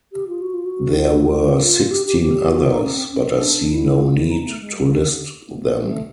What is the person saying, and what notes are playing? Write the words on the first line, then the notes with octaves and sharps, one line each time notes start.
There were sixteen others, but I see no need to list them.
G4
F4
F#4
F4
F#4
E4
F4
F4
G4
G4
G4
F#4
F4
D#4
C#4
B3
C4
C4
C#4
D4
E4
F4
E4
D#4
A3
G#3
G3
D3
D3
G3
A3